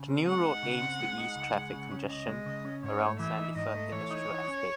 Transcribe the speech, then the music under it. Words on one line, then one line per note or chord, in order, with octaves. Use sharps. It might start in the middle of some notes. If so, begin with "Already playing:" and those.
The new road aims to ease traffic congestion around Sandyford Industrial Estate.
Already playing: C#3
C4
G#3 F#5
D#4
C#3
C4
G#3
D#4
C#2
G#3
C#3
C#4
C#2 D#5
G#3
C#3
C#4
G#2 C#5
A3
E3 E5
D#4
G#2 D#5
A3
E3 C#5
D#4
E3
C#4